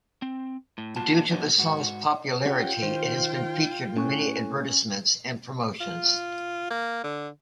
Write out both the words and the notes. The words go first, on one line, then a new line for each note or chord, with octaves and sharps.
Due to the song's popularity, it has been featured in many advertisements and promotions.
C4
A2
A#3 F4 F#4 A5
F3 A#3 C#4 D#4 F#4
G#2 F#4
C#4 F4 G4 F#5 G5
D#3 C5
A2 C#4 C#6 F#6
F4
A#3
D3